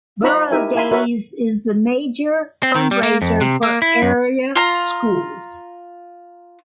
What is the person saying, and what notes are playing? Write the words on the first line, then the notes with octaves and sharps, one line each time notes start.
Burro Days is the major fundraiser for area schools.
D#4 F4 C5 A#5 B5 C#6
D#4 E4 G4 A#4 E5 G#5
E4 A#4 G#5 B5 C6
F#4 A#4 B4 C#5 E5 F#5
C4
D#3
G3
A#3
F2
C3
A#3
E4
F#2
F4 A#5